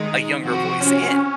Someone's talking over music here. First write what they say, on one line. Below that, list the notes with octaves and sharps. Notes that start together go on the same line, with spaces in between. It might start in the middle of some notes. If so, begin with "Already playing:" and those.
a younger voice in
Already playing: D#3 G#3 D#4
C3 F3 C4 F#4
C#4